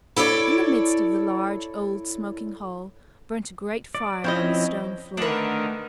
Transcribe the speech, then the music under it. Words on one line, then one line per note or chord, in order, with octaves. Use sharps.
In the midst of the large, old, smoking hall burnt a great fire on the stone floor.
E4 A4 C#5 D5
D5
F3 C4 C#4 E4 C#5 D#5
D3 D#3 A3 D4 D#4 A#4 B4 F#5